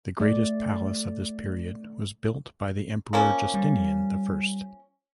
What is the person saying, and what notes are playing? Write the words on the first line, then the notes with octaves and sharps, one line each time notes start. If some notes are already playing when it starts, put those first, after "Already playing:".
The greatest palace of this period was built by the Emperor Justinian the First.
A3 D5
F3 A#3 C#4
G3